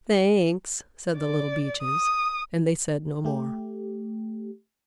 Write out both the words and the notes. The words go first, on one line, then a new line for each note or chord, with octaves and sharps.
"Thanks," said the Little Beeches, and they said no more.
D5
D#6
A3 G4